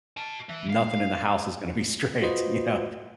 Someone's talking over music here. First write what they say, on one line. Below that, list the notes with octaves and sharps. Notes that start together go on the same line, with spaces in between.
nothing in the house is gonna be straight, you know?
D#5 A5
E3 E5
F5
F4 F#4 B4 C5 D#5